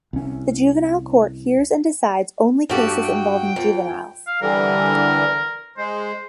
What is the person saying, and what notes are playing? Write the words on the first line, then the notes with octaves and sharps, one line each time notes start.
The Juvenile Court hears and decides only cases involving juveniles.
C2 C#4
G2 F#4 G4 A4
G5
F2
F5
D3 E3 G3 A#4
G#3 C5